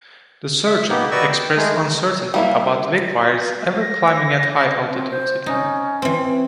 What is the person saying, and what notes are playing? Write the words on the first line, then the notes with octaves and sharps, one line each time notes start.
The surgeon expressed uncertainty about Wickwire's ever climbing at high altitudes again.
E5
A#3 B3 D#4 G4
F#4 B4 D5 D#5 C#6 E6
G5
G#3 A3 D#4 G#4
G3 A#3 E4
A#6
C4
C5
C#4 D#4
E3 C4